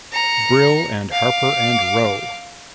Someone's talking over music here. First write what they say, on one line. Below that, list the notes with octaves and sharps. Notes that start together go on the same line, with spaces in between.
Brill and Harper and Row.
A#5 C#7
F5 D6